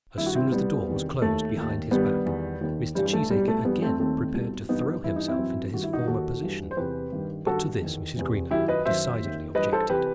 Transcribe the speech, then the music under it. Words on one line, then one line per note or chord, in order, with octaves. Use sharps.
As soon as the door was closed behind his back, Mr. Cheesacre again prepared to throw himself into his former position, but to this Mrs. Greenow decidedly objected.
G2 D#3 E4
F#4
C4 E4
C2 B2 G3 B3
E2 C3 D#3
D#2 D#3 A3
D#2 D#3
G2 D#3 G3 B3
E2 D#3
D#2 D#3
G2 E3 G3
G3
A3
C2 B2 G3
A3
G2 E3 G3 B3
A3 C4
D#2 D#3 A3 C4
C2 B2
G2 E3 B3 D#4
G2 E3 E4
D#4
C4 E4
F#2 E3
G2 D#3 F#4
E4
D#4 F#4
D#2 D#3 F#4 A4
G2 E3
C5
E2 C3 E3 G4 B4
G2 D#3
G2 D#3 F#4 A4
E2 D#3
E2 C3 E3
F#2 D#3 E4 G4
B4 D#5
F#2 D#3 C5 E5
D#2 D#3
G2 E3 B4 D#5
A4 C5
C3 E3 G4 B4